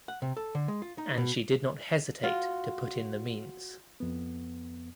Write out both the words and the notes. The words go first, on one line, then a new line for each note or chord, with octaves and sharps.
And she did not hesitate to put in the means.
F#5
C3
A4
D3
G#3
F4
D#4
B2
F4 F#4 F#5
F2 B3